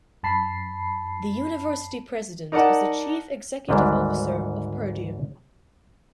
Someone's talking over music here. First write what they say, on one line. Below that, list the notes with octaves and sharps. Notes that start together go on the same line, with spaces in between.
The university president is the chief executive officer of Purdue.
F#2 A5 B5 C7
D#4 A#4 D5 F#5 A5
G#1 D2 G#2 G3 G#3